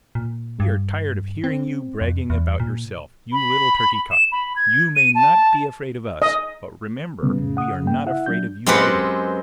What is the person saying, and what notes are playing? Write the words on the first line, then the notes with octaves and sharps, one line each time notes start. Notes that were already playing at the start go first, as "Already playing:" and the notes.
We are tired of hearing you bragging about yourself, you little turkey cock! You may not be afraid of us, but remember we are not afraid of you, either!
A#2
G2
C4
F2
E2
A#2
B5
E7
B5
G#6
D#7
A5
D#5
A#2 C#3 G3 B3
F2 A2
F#5 D#6
G2 A#3 G5
E4 E5 F#5
F#3 D4 G6
F#2 G#3 C4 G4 B4 F#5